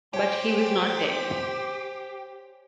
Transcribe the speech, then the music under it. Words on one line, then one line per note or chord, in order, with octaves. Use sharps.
But he was not dead.
G4 C5 C#5 G#5